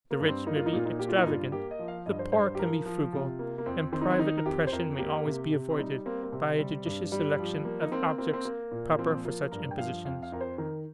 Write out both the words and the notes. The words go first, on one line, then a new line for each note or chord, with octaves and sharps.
The rich may be extravagant, the poor can be frugal; and private oppression may always be avoided by a judicious selection of objects proper for such impositions.
A#3
G2
C4
A#3 D#4
F4
D#4
A#2 F4
D#4
A#3 G4
F4
D#4
G2 F4
A#3 G4
D#5
F3
F5
G2 D#5
C5
G2 C5
C5
G4
F3 A#4
F3
C3 F4
A#3
A#3
F2 C4
D#3 C4
D#4
C4
D#3 D#4
A#4
F2 G4
C5
F2 A#4
A#4
A#3 G4
C3
C3
C4
G3 D#4
A#3 C4
A#3
C3 C4
G3
G2
G3
F3
A#3
D#4
A#3 C4
A#3 C4
C4
A#3
A#2
A#3
F3 C4
A#3 F4
G2 A#4
G5
F3 F5
F2 F5
F5
F2 A#4
C5
D#3 A#4